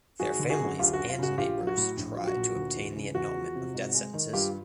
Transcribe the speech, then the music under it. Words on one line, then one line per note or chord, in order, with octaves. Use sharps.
Their families and neighbors try to obtain the annulment of death sentences.
G#1 F#4 G#4
D3
F#4 G#4
F#2
D2 F4 G4
F#4
F#3
F4
C#3 F#4
A#1 F4 G4
F#3
F#4
A2
A#1
F#3 F4
F#4
A#2
D2
E3
C#3
E2 F#4
F3
C3
G#2
G#3
D#3
G2 F4 G4